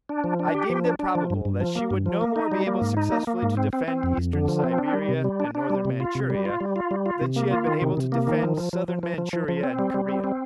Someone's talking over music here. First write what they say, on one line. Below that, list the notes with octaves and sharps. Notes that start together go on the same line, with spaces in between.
I deemed it probable that she would no more be able successfully to defend Eastern Siberia and Northern Manchuria than she had been able to defend Southern Manchuria and Korea.
D4
F3
D4
G4
F3
D4
D4
F3
G2
G2
F3
A#3
G2
F3
A#3
D#4
G3
A#3
G#2
D#4
A#3
A#3
G#2
C4
C4
C4
F2
F2
D3
F3
C4
D4
G3
C3
G3
D4
D4
G3
C3
F4
C3
G3
F4
G3
F4
G3
F4
C3
A#3
F4
D#3
C3
C3
A#3
D#3
F3
F3
F3
F3
F3
F3
F3
F3
C4
G3
G3
C4
C4